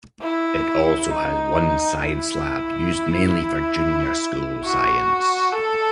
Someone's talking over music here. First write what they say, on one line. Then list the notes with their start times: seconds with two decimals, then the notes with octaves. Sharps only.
It also has one science lab, used mainly for Junior School Science.
0.22 E4
1.10 D#4
1.99 E4
4.64 F#4
5.53 A4